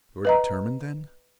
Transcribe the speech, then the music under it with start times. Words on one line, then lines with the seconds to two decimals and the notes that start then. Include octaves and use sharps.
"You are determined then?"
0.25 B4 D#5 A#5